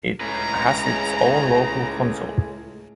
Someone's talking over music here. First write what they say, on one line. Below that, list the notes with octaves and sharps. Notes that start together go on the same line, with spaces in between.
It has its own local council.
C#2 A2 G#3 C#4 G#4 B4 A#5